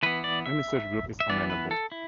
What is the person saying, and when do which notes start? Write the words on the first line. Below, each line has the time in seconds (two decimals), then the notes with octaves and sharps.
Any such group is amenable.
0.03 E3 B3 B4
0.24 D5
0.46 E5
1.20 E5
1.30 E3 B3 D5
1.50 B4
1.71 A4
1.92 E4